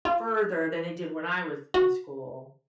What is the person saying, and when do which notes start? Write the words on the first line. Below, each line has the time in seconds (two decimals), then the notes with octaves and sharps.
further than they did when I was in school.
0.05 F4
1.74 F#4